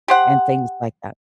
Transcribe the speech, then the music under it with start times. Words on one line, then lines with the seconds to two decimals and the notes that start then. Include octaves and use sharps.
and things like that.
0.08 G4 C5 F#5